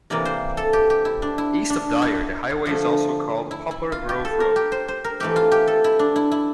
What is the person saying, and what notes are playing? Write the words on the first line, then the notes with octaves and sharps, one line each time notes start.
East of Dyer the highway is also called Poplar Grove Road.
C3 E3 A#3 D5
C5
A4
G4
G4
E4
D4
E4
D4
E4
D3 F3 A3
E4
E4
F4
G4
A4
A#4
G4
C5
C5
A#4
E3 A3 C4 G4
F4
G4
A4
E4
D4
E4
E4